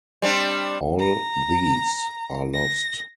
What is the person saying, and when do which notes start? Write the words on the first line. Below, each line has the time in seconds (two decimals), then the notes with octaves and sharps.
All these are lost.
0.22 G3 C4 D4
0.99 A#5
2.54 A#6